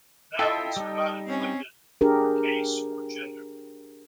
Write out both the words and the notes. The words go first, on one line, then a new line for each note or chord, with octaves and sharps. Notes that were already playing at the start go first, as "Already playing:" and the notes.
Nouns are not inflected for case or gender.
E4 F4 A4 D#5 G5
G3 D#4
C4 C#4
D4 G4 G#4 A#4